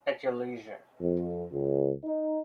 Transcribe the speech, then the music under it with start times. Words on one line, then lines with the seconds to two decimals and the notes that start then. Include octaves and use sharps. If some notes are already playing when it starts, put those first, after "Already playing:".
At your leisure.
1.01 F2
1.53 C#2
2.05 D#4